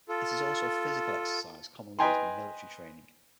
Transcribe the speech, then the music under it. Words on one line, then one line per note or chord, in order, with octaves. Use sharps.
It is also a physical exercise commonly used in military training.
F4 A4
B4 D#5 G5 G#5 A#5 C6